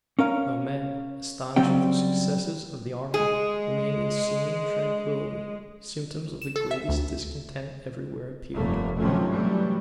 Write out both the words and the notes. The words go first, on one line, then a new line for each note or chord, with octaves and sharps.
Though men, astonished with the successes of the army, remained in seeming tranquillity, symptoms of the greatest discontent every where appeared.
C#4 A#4 F5
C#3 F#3 G3 C4 G5
G#3 G#4
E7
A4
E5
D2
F1 G2 A3 A#3
C3 D#3 F3 F#3 A3 C#4
E3 F#3 G3 A3